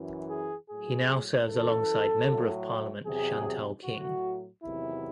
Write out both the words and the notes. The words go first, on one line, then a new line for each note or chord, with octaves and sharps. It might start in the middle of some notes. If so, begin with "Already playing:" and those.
He now serves alongside Member of Parliament Chantel King.
Already playing: F#2 E3
G#4
A2 F#3 G#4
F#2 E3 A4
A2 F#3
E2 C3 F#3 G#4
A2 F#3 F#4
E2 C3 D#3 F#3 E4